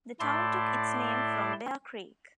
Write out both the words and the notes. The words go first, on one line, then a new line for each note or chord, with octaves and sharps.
The town took its name from Bear Creek.
A2 A3 E4 D5 A5 C6